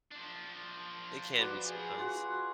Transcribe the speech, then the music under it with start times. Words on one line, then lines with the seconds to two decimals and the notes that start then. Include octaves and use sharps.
It can be sometimes.
0.12 F3 D4
1.37 F#4 B4 D5
1.66 G#4
1.97 F4 F#4